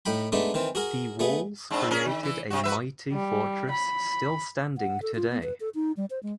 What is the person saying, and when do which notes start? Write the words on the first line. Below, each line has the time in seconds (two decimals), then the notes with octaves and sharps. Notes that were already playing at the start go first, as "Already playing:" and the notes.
The walls created a mighty fortress still standing today.
0.06 A2 D#4 G5 B5
0.32 G#3 A3 B3 D4 D#4
0.54 D#3 E3 C4
0.75 F#4 G#4 A#4
1.19 A3 B3 G#4
1.71 G#2 C4 D4
1.91 C#4 G#4 A#4
2.05 D#3
2.23 E3 E4
2.50 C3 F#4
2.64 F#4 B4 E5
3.13 G3
3.71 B5
4.78 F#5
5.02 A4
5.15 F4
5.31 B3
5.43 B4
5.60 A4
5.75 D#4
5.97 G3
6.10 C5
6.23 G#3